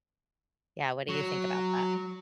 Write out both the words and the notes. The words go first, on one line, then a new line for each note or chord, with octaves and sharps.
Yeah, what do you think about that?
F#3